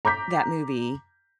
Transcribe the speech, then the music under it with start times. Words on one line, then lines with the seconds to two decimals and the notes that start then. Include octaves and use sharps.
that movie.
0.05 A#5 D6 G6 B6